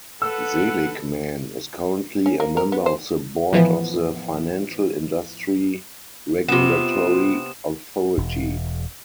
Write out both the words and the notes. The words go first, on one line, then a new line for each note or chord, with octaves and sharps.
Seligman is currently a member of the board of the Financial Industry Regulatory Authority.
A4 B4 F#5 E6
C#4
A#3
A#4
B3
C5
A2 E3 F3 B3
C3 B3 F4 E7
E1